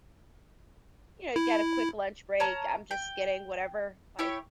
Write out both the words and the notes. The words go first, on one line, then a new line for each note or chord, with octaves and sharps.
you know, you got a quick lunch break, I'm just getting whatever, like,
E4
C#5 A5 A#5 F6
G5
E4 G4 C#5